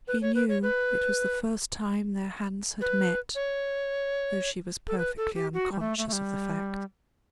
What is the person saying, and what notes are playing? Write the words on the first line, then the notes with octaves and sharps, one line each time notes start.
He knew it was the first time their hands had met, though she was perfectly unconscious of the fact.
B4
C#5
B4
C#5
B4
B4
C#5
A4
B4
A4
G4
F#4
G3
A3
A3
A3
G3